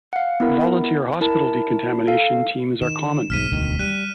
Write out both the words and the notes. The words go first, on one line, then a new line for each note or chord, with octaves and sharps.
Volunteer hospital decontamination teams are common.
F5 F#5
B3 E4 A#4
E4 A#4 A5
A4 F5
D#3 E7
B1 G#2 F6 B6 D#7
E1 D2 D#3
G3 F#6 D#7